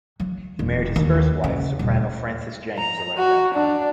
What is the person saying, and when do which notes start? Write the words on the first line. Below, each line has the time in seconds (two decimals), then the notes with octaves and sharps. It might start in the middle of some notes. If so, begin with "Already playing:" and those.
He married his first wife, soprano Frances James, around that time.
0.20 F#3
0.59 E1
0.96 D#2
1.44 C#3
1.79 D#1
2.78 A#5
3.17 F#4
3.54 D4